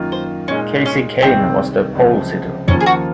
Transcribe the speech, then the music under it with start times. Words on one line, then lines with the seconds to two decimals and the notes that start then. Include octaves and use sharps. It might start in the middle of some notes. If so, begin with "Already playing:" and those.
Kasey Kahne was the polesitter.
Already playing: F#2 D#3 A#3 F4
0.12 C5
0.48 A#2 G#3 C#4 D#4
0.86 C#4
1.22 C2 C3 D#3 G#3 C4
1.95 C#2 C3 F3
2.68 D#2 C#3 F3 A#3 C#4 F4
2.80 G#4
2.86 F#4